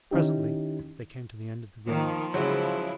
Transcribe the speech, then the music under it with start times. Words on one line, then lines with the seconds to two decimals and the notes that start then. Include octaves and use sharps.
Presently they came to the end of the grove.
0.11 D#3 C#4 D#4 E4 G4
1.88 D#3 F3 A#3
2.34 C#3 F#3 G#3 E4